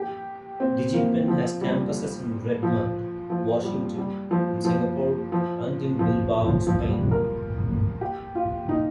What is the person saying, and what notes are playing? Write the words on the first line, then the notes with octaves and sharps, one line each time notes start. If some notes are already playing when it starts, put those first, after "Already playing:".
DigiPen has campuses in Redmond, Washington, in Singapore, and in Bilbao, Spain.
Already playing: G4
C4
A#3
F3
G3
F3
F3
G3
G3
F3
F3
F3
F3
F3
F3
G3
A#4
G4
F4
D#4